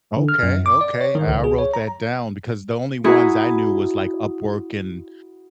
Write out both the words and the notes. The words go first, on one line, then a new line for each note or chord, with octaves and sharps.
Okay, okay, I wrote that down because the only ones I knew was like Upwork and
D3
F6
F#2
D6
D5
C#5
D#3
C#2
G#4
C#5
A#5
E4 F#4 G#4 A#5 B5 D#6